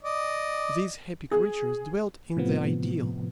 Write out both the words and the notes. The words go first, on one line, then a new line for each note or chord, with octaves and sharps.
These happy creatures dwelt in the ideal.
D5 D#5
G#4
A2 C3 F3 B3